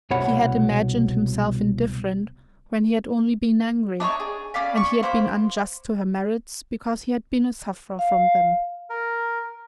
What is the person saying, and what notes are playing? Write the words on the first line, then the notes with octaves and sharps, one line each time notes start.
He had imagined himself indifferent, when he had only been angry; and he had been unjust to her merits, because he had been a sufferer from them.
C2 B2 C#5 F#5 B5
D4 D#4 B4 C#5
G#4
C#4 D5 F5 B5
C#6
A#3 C5 B5 D6
F5
A#4